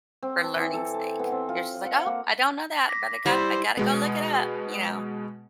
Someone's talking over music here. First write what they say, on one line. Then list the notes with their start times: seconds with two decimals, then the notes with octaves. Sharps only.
for learning's sake. You're just, like, "Oh, I don't know that, but I got I gotta go look it up," you know?
0.22 C4
0.44 A5
0.56 E3
0.74 A4
0.94 A5
1.19 B3
1.31 C4
1.49 F4
1.86 F#5
2.06 A#3
2.89 D6 A#6 B6
3.26 G3 E4 C5
3.77 B2 G#3 B3